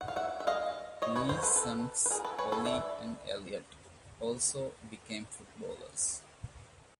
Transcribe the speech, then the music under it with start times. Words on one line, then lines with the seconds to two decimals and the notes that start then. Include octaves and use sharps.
Lee's sons, Olly and Elliot, also became footballers.
0.01 F#5
0.08 F5
0.16 E5 F#5
0.40 E5
0.47 D#5 F5
1.02 C#5 D#5
1.16 B4 C#5
1.29 A#4 C5
1.43 A4 B4
1.56 A4 B4
2.06 B4
2.10 G#4 A#4
2.24 A4 B4
2.38 B4 C#5
2.52 A4 B4
2.65 D5 E5